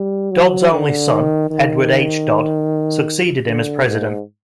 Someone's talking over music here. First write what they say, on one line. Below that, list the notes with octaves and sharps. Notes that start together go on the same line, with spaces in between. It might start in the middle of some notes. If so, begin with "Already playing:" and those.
Dodd's only son, Edward H. Dodd, succeeded him as president.
Already playing: G3
F#3
D3
D#3
D#3
D3
G#2